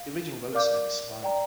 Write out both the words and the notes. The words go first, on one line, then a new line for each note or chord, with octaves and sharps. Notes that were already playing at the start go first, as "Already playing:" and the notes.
The original road surface survived.
Already playing: F5
A#4 D5 F5 D6 G6
D5 G5 A#5